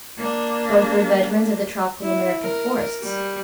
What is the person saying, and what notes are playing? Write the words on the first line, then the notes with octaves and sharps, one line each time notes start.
Both were veterans of the tropical American forests.
A#3 D4
E4
A#4
G3